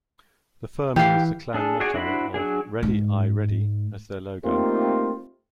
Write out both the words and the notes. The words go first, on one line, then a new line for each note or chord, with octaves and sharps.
The firm used the clan motto of "Ready Aye Ready" as their logo.
E3 G4 F5
D4 G#4 A4
F#4 G#4 C#5 D5 G#5
D4 E4 F#4 C5 B5
F#3 D4 G#4
G#2
A3 A#3 C4 D#4 F4 G4